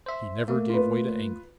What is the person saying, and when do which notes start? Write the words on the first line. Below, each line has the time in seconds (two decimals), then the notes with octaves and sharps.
He never gave way to anger.
0.06 C5 E5
0.48 A3 A#3
0.69 F4 B4